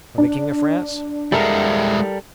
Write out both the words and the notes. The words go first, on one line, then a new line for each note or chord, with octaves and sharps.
"From the king of France?"
D4
G3 G#3 E4 A4 A#4